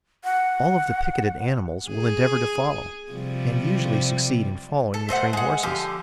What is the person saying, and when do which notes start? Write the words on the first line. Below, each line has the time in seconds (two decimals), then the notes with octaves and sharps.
All of the picketed animals will endeavor to follow, and usually succeed in following, the trained horses.
0.24 F#5
1.89 G#4
3.11 C3 F3 G3
4.94 A4
5.09 A3 C5 D#5 F#5
5.33 G#3 F#5
5.63 D3 F3 G4